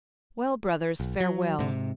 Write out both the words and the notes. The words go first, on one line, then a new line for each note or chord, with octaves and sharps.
'Well, brothers, farewell!
B1
F#3
G#2 C3